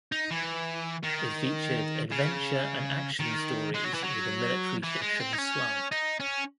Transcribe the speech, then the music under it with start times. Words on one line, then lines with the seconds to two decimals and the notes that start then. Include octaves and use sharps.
It featured adventure and action stories with a military fiction slant.
0.12 D#4
0.31 E3
1.03 D#3
2.12 C#3
3.20 D#3
3.74 G#3
3.84 F#3
3.93 E3
4.03 F#3
4.83 E3
5.02 G#3
5.20 C4
5.33 D#4
5.38 C#4
5.92 D#4
6.20 C#4